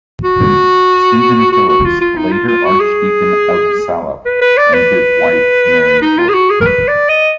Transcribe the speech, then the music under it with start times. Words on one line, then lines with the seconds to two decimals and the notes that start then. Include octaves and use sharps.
Stephen Philips, later archdeacon of Salop, and his wife Mary Wood.
0.24 F#4
1.52 F#4
1.69 F#4
1.85 F4
2.01 F4
2.17 D#4
2.32 F4
2.48 F4
2.65 F#4
2.80 G#4
4.25 B4
4.42 B4
4.57 D5
4.73 B4
6.01 D#4
6.18 F4
6.29 G#4
6.34 F#4
6.50 G#4
6.61 A#4
6.66 B4
6.88 D5
7.09 D#5